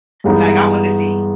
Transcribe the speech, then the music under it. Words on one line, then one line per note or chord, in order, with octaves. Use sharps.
Like, I wanted to see
G2 E3 G#3 B3 D#4